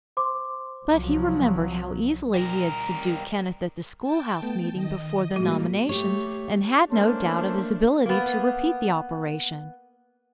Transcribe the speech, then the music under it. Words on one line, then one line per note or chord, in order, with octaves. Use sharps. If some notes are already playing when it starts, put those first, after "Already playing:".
But he remembered how easily he had subdued Kenneth at the school-house meeting before the nominations, and had no doubt of his ability to repeat the operation.
C5 C6 D6
C2 F3 F#3
G3 A#4
G5 A5
A3 B3
D#3 D#5
A2 G3 G#3 A#3 F#4
A3 G4 C#5
A3 A#3 C#4 D4 A4 C5
A#3 B3